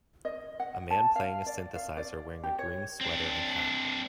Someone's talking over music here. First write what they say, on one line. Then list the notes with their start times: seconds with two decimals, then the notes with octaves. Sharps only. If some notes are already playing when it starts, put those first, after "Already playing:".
A man playing a synthesizer wearing a green sweater and hat.
0.25 D#5
0.60 F#5
0.91 A5
1.16 F5
1.46 D5
1.76 F5
1.97 D5
2.43 G4
2.59 C#5
3.01 C4 D4